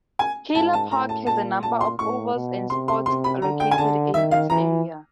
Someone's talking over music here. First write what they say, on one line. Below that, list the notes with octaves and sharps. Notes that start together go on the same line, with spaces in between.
Keilor Park has a number of ovals and sports located in its area.
G#5
G#2 A5
A5
A2 A#5
A5
A#2 A5
A#2 A5
C6
A2 C#6
B2
C3 C6
C6
C3 C6
B5
D3 A#5
G5
G#5
D3 A5
D#3 E5
F5
E3 A#5